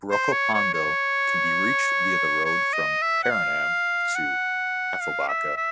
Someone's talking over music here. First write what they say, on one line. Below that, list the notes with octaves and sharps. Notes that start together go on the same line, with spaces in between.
Brokopondo can be reached via the road from Paranam to Afobaka.
C5
C#5
C#5
C#5
C#5
D#5
E5
F#5
F5
F#5
F5
E5
E5